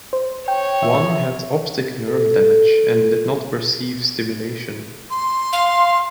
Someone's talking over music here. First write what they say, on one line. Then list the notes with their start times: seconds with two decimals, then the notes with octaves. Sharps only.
One had optic nerve damage and did not perceive stimulation.
0.13 C5
0.48 C#5 G5
0.83 E5
2.08 A4
5.10 C6
5.53 F5